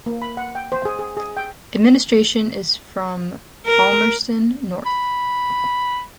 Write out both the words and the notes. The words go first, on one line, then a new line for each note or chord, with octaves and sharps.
Administration is from Palmerston North.
A#3
B5
F#5
G5
C5
G#4
G#4
G#4
G5
A#4
B5